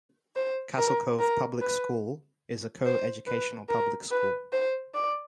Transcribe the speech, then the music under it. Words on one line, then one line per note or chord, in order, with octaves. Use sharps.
Castle Cove Public School is a co-educational public school.
C5
A#4
A#4
B4
C5
B4
A#4
B4
C5
D5